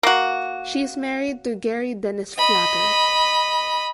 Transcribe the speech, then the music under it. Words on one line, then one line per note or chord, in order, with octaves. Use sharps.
She is married to Gary Denis Flather.
A#3 F#4
D#5 B5